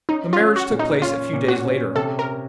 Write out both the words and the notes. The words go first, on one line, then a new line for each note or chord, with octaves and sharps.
The marriage took place a few days later.
C#4 D#4
F4
C#4
F#4
A#2
D#4
C#4 F4
A#2
F#4
C#4
C3 A4
A#4